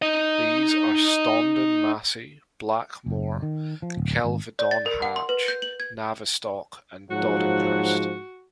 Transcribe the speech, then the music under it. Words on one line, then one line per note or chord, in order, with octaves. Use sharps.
These are Stondon Massey, Blackmore, Kelvedon Hatch, Navestock and Doddinghurst.
D#4 D#5
F#1
D#3
F3
D1
G#1
D5
A6
A#4
F#5
C6
B4
G6
F#7
G#6
D#2 G#2 F3 F#3 F#4 F#5